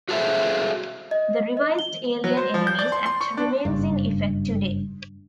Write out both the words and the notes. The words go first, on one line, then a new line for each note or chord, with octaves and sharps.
The revised Alien Enemies Act remains in effect today.
F#4 G#4 A4 C5 E5
D#5
D#5
G7
F#3
C5
F3
G6
D5
C6
C6
C#6
D4
F#1 G2